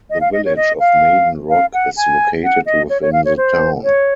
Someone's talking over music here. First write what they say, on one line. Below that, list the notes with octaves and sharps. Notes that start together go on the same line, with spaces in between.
The Village of Maiden Rock is located within the town.
D#5
F5
D#5
C#5
D#5
F5
F5
F#5
G#5
F#5
D#5
C#5
C#5
F5
C#5
C5
C#5